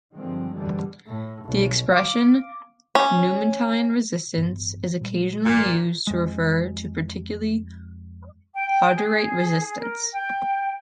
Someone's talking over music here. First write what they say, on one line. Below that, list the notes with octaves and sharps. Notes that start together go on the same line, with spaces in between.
The expression "numantine resistance" is occasionally used to refer to particularly obdurate resistance.
G2 D3 D#3 F3 G#3 C4
F#2 B2 D3 E3 G3 G#3
A2
B1
F5 D6
C#4
A1 G2 B3
A#2 G3 G#3
A1 G2 A#2
F2 G#3
G5
G#4
A#4
G5